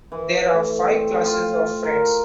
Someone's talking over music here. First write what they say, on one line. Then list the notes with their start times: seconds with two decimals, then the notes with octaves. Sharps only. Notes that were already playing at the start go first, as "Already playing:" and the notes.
There are five classes of Friends.
0.12 E3
0.54 A3
0.90 C4
1.25 F4
1.84 A#4